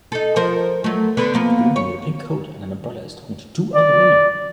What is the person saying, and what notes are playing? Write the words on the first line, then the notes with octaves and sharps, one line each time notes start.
A woman with a pink coat and an umbrella is talking to two other women.
D#4 A4
F3 A#4 C5
F#3 A3
D3 B3 B4
F3 A#3 B3
C#5
D5